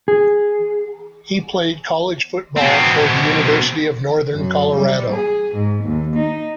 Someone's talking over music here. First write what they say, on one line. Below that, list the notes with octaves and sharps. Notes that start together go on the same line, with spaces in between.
He played college football for the University of Northern Colorado.
G#4
B2 C4
F#2
G3
G#4
G#2
D#2
D#4